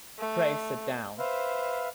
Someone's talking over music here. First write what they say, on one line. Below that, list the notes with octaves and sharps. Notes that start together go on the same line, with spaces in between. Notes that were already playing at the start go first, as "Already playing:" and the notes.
Pray sit down.
A3
B4 C5 E5 F5